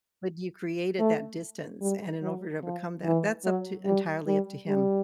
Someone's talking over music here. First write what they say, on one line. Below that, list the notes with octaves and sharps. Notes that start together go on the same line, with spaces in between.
But you created that distance and in over to become that that's up to entirely up to him.
A3
G3
F#3
F3
E3
F#3
G3
G3
G3